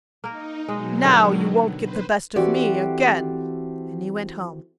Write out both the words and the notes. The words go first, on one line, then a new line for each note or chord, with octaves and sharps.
'Now you won't get the best of me again!' And he went home.
A#3 D#4 A#4
B2 F#3 G#3 D#5
D3 D#3 G3
B4 C5
E3 C4 F#4 G4 A4 D5